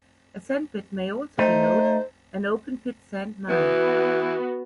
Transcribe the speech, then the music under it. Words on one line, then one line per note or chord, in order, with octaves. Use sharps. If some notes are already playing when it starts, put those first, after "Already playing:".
A "sandpit" may also denote an open pit sand mine.
A3 D#4 C5
E3 B3 F#4